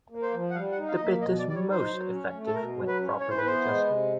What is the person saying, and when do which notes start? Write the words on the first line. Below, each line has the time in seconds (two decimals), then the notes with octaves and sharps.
The bit is most effective when properly adjusted.
0.10 A#3
0.22 C5
0.33 F3
0.51 F#5
0.55 G3 F5
0.72 F#5
0.77 D#4
0.88 F5
0.97 D#5
1.00 A#3
1.05 E5
1.21 B2 D#5
1.39 D5
1.44 G3
1.49 D5
1.55 C#5
1.65 D#4
1.72 C5
1.89 F#3
2.10 C#4
2.32 A3
2.47 A4
2.54 B2 A#4
2.77 F#3
2.88 B4
2.98 C#4
3.20 E3 C#5
3.30 C5
3.38 B4
3.42 B3 C5
3.65 G#3
3.87 C3